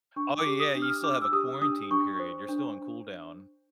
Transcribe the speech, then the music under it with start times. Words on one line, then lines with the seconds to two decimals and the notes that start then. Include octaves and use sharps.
Oh, yeah, you still have a quarantine period. You're still on cool down.
0.16 D4 C#6
0.38 D6
0.46 G4
0.60 D#6
0.75 D4
0.82 F6
1.04 D4 D6
1.22 E6
1.32 G4 D#6
1.62 D4 D#6
1.91 D4 C#6
2.19 C5
2.49 D4